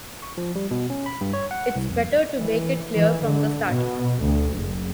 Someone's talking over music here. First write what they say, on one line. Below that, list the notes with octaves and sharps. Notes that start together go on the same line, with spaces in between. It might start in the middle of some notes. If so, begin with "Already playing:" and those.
It's better to make it clear from the start.
C#6
F3
G3
B2
C#4
B5
G2
C#5
F#5
C2
F2
E3
E3
D3
B2
D2
F#1